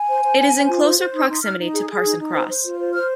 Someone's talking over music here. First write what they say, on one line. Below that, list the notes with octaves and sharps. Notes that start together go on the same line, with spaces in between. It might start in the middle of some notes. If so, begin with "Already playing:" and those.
It is in closer proximity to Parson Cross.
Already playing: G#5
C5
C5
C5
C5
F4
C5
C5
D#4
D#6
D#4 C6
D#4 F6
D#4
G#4
G#4
D#4
D#4
C5
C5
F4
C5
C5 F6